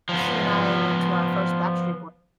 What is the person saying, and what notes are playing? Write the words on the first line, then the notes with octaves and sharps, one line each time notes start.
she and I went to our first Backstreet Boy
F3 B3